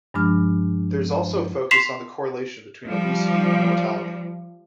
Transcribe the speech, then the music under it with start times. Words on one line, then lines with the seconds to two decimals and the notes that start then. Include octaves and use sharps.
There is also a focus on the correlation between obesity and mortality.
0.14 G2 F3 G#3 D4 F6
1.71 C6 B6 C7 E7 F7
2.88 F3 G3